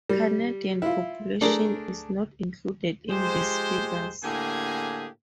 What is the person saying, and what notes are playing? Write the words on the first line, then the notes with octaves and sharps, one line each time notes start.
Canadian population is not included in these figures.
G3
E4 F4
A3 D4 G#4 A#4
F3 G#3 G4 C5
A2 D3 A#3 G4 G#4 G#5